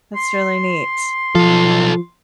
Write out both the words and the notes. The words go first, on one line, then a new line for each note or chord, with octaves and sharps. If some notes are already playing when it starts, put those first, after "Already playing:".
that's really neat.
C6
B1 F3 A4